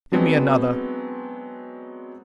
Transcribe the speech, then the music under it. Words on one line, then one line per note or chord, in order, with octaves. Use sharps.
"Give me another!"
F#3 G#3 B3 C4 D4